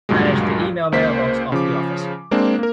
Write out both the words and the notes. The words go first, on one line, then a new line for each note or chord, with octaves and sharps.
Manage the email mailbox of the Office.
C#2 G2 A#2 F#3 G#3
C#2 A#3 C5 B6
C#3 F3 D6
G#3 A#3 C4 D4
A#3 A#4